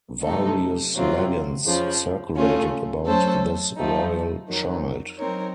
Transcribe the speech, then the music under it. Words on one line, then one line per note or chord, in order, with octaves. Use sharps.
Various legends circulated about this royal child.
C3 F#3 A3 D#4 A4
F2 C3 F#3 C4 F4
F2 C#3 F3
C#3 A3 C#4 F4
F#3 A3 C#4 A4 C5
F#2 F3 A3 D#4
F2 D#3 F#3
F#3 C4 D#4 A#4 C#5